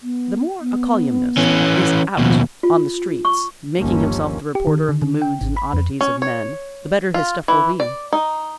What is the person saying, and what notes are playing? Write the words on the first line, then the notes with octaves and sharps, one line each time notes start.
The more a colyumist is out on the streets, making himself the reporter of the moods and oddities of men, the better his stuff will be.
B3
B3
E3 C#4
D#2 B2 F3
F4
C#6
G1 D#2 F3 A#3 C#4
G4
D#3
D3
D3
G5
G#1
B5
F2
C#4
C#5
F4
E3
D5
D#4